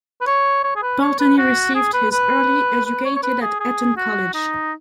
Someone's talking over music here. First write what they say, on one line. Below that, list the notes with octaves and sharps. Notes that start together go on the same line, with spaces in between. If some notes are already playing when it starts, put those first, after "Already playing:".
Pulteney received his early educated at Eton College.
B4
C#5
C#5
G#4
B4
C#5
B4
F#4
G#4
B4
B4
B4
C#5
C#5
B4
G#4
G#4
F#4
D#4